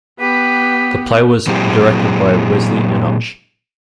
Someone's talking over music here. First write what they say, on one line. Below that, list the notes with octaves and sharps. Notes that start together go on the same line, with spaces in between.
The play was directed by Wesley Enoch.
B3 G4 B4
A#2 F#3 G#3 C4 E4 G4